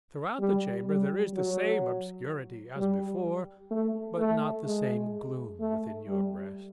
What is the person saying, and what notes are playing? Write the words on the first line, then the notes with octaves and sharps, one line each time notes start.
Throughout the chamber there is the same obscurity as before, but not the same gloom within your breast.
G3
G3
F#3
G3
A3
A3
G#3
A3
G3